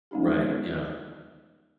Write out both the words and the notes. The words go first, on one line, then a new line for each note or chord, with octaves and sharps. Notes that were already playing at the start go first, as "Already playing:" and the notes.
Right, yeah.
G#3 B3 C#4 D#4 G4